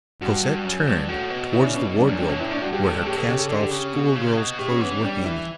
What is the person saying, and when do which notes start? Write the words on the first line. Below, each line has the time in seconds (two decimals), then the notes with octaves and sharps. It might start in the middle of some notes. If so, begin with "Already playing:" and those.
Cosette turned towards the wardrobe where her cast-off schoolgirl's clothes were hanging.
0.21 G2 F#4
0.43 G2
0.65 F#2
0.87 G2
1.09 A2 F#4
1.30 B2
1.53 C#3 E4
1.64 D4
1.74 B2 C#4
1.85 C#4
1.96 G2 D4
2.07 F#2 D4
2.18 G2 C#4
2.29 B2 C#4
2.40 G2 E4
2.51 A2 D4
2.62 G2 F#4
2.72 G2 G4
2.83 A2 A4
2.95 G2 A4
3.06 A2 G4
3.16 B2 A4
3.27 C#3 G4
3.39 A4
3.49 D3 A4
3.61 G4
3.71 C#3
3.93 B2
4.15 C#3
4.37 B2
4.59 A2 G4
4.70 C#4
4.81 E3 B3
4.91 C#4
5.02 G3 D4
5.24 E3 E4